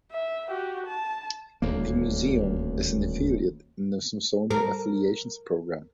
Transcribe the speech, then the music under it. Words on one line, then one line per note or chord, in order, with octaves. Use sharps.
The museum is an affiliate in the Smithsonian Affiliations program.
E5
F#4 G4
A5
D#1 D2 A#3
A#4